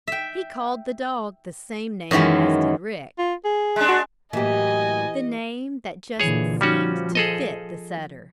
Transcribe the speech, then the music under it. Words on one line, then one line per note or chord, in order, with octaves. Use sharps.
He called the dog the same name as did Rick--the name that just seemed to fit the setter.
E5 G5
F#2 D#3 E3 F#3 G#3
F4
G#4
G#3 D4
F#4
A2 E3 F#3 A#3 G4 D#5 G#5
A#2 D3 E3 G#4 C#5
F3 G3 C#4 F#4
G#4 A4 D#5